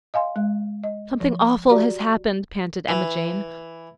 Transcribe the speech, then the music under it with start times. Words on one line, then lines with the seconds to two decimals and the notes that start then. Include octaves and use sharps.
"Something awful has happened," panted Emma Jane.
0.14 D#5 F5 G#5 C6
0.36 G#3
0.84 D#5
1.20 F3
1.70 F#4 G4 D5 A#5
2.88 E3